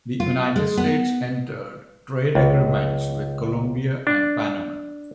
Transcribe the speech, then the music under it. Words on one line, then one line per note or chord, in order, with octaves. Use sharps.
The United States entered trade agreements with Colombia and Panama.
F4
G#3
B3
C#2
D4